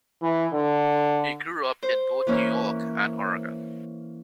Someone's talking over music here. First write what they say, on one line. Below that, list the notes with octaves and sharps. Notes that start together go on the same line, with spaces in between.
He grew up in both New York and Oregon.
E3
D3
C5
E3 A#3 C#4